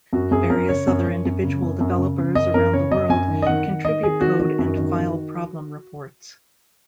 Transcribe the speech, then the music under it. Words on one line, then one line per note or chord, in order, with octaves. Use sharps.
Various other individual developers around the world contribute code and file problem-reports.
F#2 F#4
F#2 G#4
F#2 A#4
C#3 C#5
F#2
F#2
F#2
C#3
F#2
F#2
C#3
C#3
F#2 D#5
F#2 A#4
C#3 C#5
F#2 D#5
F#2 G#5
D#3
D#5
D#3 F#5
D#3
D#3 D#5
D#3 G#4
D#3 F#4
D#3 F#4
F#2
D#3
D#3